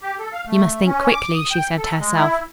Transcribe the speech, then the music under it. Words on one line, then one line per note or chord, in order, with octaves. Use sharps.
"You must think quickly," she said to herself.
G4
A4
F5
A3
C#4
D6
D#6
G5
A4
G#3
E4